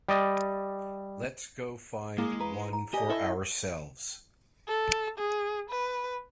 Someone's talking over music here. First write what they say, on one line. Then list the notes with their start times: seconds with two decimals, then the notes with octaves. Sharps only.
Let's go find one for ourselves!
0.09 G3 D5 D#5
2.18 G#3 A#3 E4 G#4 F5
2.40 B4 A#5
2.73 A#5
2.94 G4 D5 D#5 G#5
3.10 E4 A4 E5
4.68 A4
5.18 G#4
5.70 B4